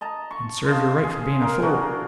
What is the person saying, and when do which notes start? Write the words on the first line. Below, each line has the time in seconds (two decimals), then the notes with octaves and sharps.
And serve yer right for being a fool.'
0.01 D#5 A5 A#5
0.31 C#6
0.65 C5 D#5 F5 A5
1.04 G#4
1.41 A#3 D#4 A#4
1.62 F#3 A#3 D4 F#4